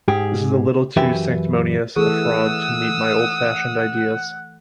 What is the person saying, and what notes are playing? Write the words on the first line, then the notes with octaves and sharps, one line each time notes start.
This is a little too sanctimonious a fraud to meet my old-fashioned ideas.
G#2 G4 G#4
F#2 E3 G4 B4 E5
E3 A3 G#4 A4 F#5 D#6 E6